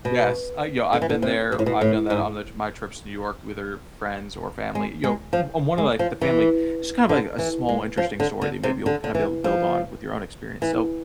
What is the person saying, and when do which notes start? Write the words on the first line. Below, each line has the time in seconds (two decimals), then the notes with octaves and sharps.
Yes, I, yo I've been there. I've done that on the my trips to New York with her friends or family. Yo, m I'm one of, like, the family it's kind of a a small interesting story that maybe you'll kinda be able to build on with your own experience. So,
0.05 B2
0.93 D3
1.02 E3
1.10 D3
1.22 C3
1.52 B2
1.59 A2
1.66 B2
1.81 A2
2.10 G#2
4.75 G#3
5.04 G#3
5.33 F3
5.78 G#3
5.99 F3
6.21 E3
7.09 D3
7.39 E3
7.69 G#3
7.98 F3
8.20 D3
8.41 D3
8.63 C3
8.86 D3
9.04 D3
9.15 E3
9.44 F3
10.62 E3